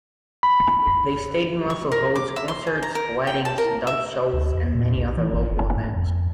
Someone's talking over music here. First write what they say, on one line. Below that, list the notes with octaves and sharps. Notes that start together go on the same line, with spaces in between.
The stadium also hosts concerts, weddings, dog shows, and many other local events.
B5
C#6
A#4
D6
E5
C6
G#4
A#5
A#4
G5
A5
A#4
E5
D2
E2
A#2
B1
E3
A1
F#1
G#2
F2